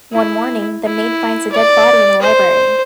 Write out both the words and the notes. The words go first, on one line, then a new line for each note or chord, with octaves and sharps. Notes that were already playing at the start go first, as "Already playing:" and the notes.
One morning, the maid finds a dead body in the library.
E4
E4
D5
C5